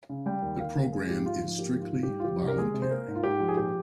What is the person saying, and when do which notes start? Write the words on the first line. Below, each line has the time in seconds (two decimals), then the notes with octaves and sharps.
The program is strictly voluntary.
0.09 C#3
0.26 G3 G5
0.42 D#2
0.60 A#3 F5
0.76 C#3
0.92 G#3 G#4
1.05 F4
1.08 G#2 G4
1.26 G#2 F4
1.42 F3 F4
1.58 A#3 G4
1.75 G#2
1.81 F4
1.92 G#2
2.03 G4
2.09 G3
2.20 F4
2.24 F3 G4
2.41 C2
2.48 A#4
2.58 G#3 G#4
2.74 C3
2.82 C5
2.91 A#3 A#4
3.08 G#2
3.15 F4
3.24 G#2 G4
3.40 F3
3.48 G#4
3.57 A#2 G4